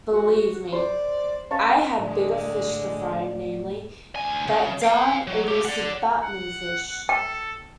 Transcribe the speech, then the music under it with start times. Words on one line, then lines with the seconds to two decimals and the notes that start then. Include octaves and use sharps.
Believe me, I had bigger fish to fry, namely, that darn elusive Batmanfish.
0.12 F#4
0.72 C5 D5
1.51 C#4 F5 A5 C#6
1.99 A2 D3 G#3 D5
4.16 D2 G#5
4.48 C#3
4.82 F5 G5
5.27 F#3
5.48 A3 G4
5.65 D5 F#5
6.23 F#5
7.09 A4 G5